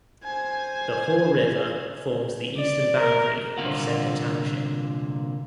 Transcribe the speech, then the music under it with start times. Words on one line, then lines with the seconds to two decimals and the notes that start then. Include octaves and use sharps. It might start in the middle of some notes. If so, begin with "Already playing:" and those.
The Haw River forms the eastern boundary of Center Township.
0.24 C5 G#5
2.57 D5
2.98 A#4
3.58 C2 A#2 D3 A#3 F4 F#5